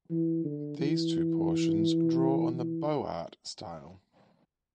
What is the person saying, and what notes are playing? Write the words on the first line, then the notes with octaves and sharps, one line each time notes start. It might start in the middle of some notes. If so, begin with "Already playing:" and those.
These two portions draw on the Beaux-Art style.
E3
D3
E3
E3